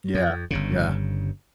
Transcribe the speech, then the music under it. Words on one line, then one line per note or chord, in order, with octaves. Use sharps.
Yeah, yeah.
F2
G1 G2 C#3